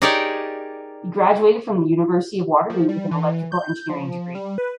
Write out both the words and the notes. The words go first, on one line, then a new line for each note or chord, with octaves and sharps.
He graduated from the University of Waterloo with an electrical engineering degree.
D#4 G4 G#4 A#4 C#5 D5
F3
G3
E3
G6
F3
G3
B4